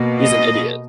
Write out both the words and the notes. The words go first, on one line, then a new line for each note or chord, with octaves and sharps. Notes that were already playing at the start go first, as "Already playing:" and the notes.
he's an idiot.
Already playing: B2 A#3
D#5